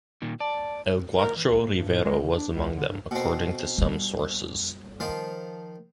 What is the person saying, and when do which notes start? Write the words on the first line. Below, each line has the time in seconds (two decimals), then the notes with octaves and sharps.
El Gaucho Rivero was among them, according to some sources.
0.22 A#2 D#3
0.40 D5 A5
1.18 A#4
1.36 E3
1.49 C#2
1.61 A#3
1.76 G2
1.89 A2
2.05 G#3
2.20 C#3
2.37 D4
2.54 C#2
2.75 D3
2.89 G2
3.11 B2 C4
3.78 G3 B3
5.00 D#3 F3 F4